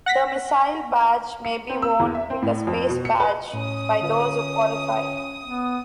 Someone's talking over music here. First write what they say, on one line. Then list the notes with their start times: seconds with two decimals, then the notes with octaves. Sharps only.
The missile badge may be worn with the space badge by those who qualify.
0.06 F#5 A#6 B6
1.45 C#7
1.70 C4
1.82 E6
2.00 E2
2.15 E5
2.30 C4
2.42 A2
2.67 F2
2.89 B2
3.05 C#7
3.20 B4
3.54 A2 C#4 D#6
4.02 D3 F4 B4
5.44 B3